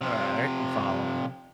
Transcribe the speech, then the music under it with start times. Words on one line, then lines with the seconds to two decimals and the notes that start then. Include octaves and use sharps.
All right, I'm following you.
0.01 C3 F3